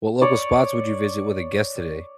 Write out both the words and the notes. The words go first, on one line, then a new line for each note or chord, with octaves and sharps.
What local spots would you visit with a guest today?
C#5 D5